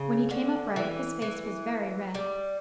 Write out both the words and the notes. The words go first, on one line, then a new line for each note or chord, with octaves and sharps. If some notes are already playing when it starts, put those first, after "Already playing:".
When he came upright his face was very red.
Already playing: C#3
D3
E3
E3
G3